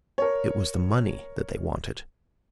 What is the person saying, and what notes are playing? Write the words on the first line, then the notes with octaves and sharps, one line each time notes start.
It was the money that they wanted.
A#4 C#5